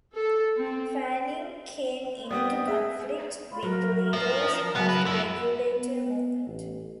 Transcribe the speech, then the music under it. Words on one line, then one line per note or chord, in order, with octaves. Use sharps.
Fanning came into conflict with the leaders of the Regulator movement.
A4
C4
G3 B3 C4 D#6
G#4 E5
F4 B5
F#3 A#4
F3 C#4 E5
C#3 F#3 B3
E4 B4
F#2 E4 F#4
B3
A1